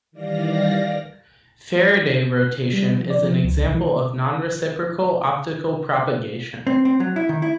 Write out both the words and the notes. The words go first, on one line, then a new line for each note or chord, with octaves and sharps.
Faraday rotation is an example of non-reciprocal optical propagation.
D#3 E3 G3 D5 F5 A#6
G3
F3
D5
F3
C#2
B1
E3
C4
C4
F#3
E4
D#3
E4